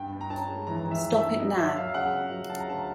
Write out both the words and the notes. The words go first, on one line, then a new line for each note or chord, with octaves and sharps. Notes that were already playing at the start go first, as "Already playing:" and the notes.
Stop it now.
Already playing: G2 G5
G2
A#5
C#4 A5
G#3
E3 A#5
E3
E5
E3
E5
G2
F#3 D#5
F#3 E5
F#3 F5
C#3 F#5
C#3
F#3
C#3 A5
A#5
D2 A5